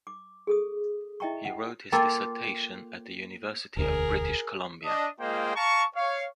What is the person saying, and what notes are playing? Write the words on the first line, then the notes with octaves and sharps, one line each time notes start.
He wrote his dissertation at the University of British Columbia.
D6
G#4 A4 D#6
E4 D#5 E5 G5 A#5 C#6
F#5
A#3 F4 A4 G5
E1 D2 G#4 A#4
D4 D#5
G#3 A#3 F4 C5 D#5 G5
F5 A5 A#5 C#6
C#5 F5